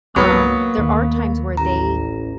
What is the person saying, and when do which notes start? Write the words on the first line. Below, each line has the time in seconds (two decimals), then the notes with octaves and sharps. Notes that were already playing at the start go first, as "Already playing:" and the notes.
Um, there are times where they
0.16 C#2 G#2 F#3 A#3 B3 C#6 D#6
0.78 D#2 D#3 A3
1.57 A1 A#5